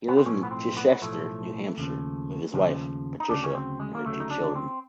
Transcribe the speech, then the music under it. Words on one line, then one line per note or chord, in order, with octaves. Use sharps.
He lives in Chichester, New Hampshire with his wife, Patricia, and their two children.
B3
C4
B1 A2 F3 C#4
B3
C4
B3
B1 A2 F3 A3
D#2 C#3 F3
D#2 C#3 F3
D#4
D2 C#3 F#3 D4
C#4
C4
G#3
A#3
D2 C#3 F#3 A3
D#4
D4
C4